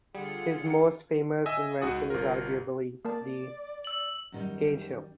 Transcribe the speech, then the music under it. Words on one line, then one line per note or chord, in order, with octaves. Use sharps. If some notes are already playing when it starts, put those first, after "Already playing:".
His most famous invention is arguably the "Cage Heel".
D3 G3 F4 G#4 F#5
D#5 E5 G#5 E6
C#2 D#4 F#4 F#5 D#6
G1 F4 A#4
A#3 A#4 D5 A5
E6 F#7
F#2 D#3 G3